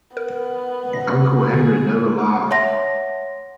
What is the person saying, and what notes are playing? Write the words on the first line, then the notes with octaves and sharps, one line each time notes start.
Uncle Henry never laughed.
B3 A#4
A#6
D3 G#4
C#5 E5 F#5 A5 C6 A#6